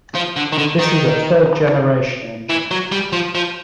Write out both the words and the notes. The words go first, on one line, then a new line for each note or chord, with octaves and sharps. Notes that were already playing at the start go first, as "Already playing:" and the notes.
This is a third-generation engine.
F3
D3
D#3
D3
D#3
E3
F#3
G3
F3
F3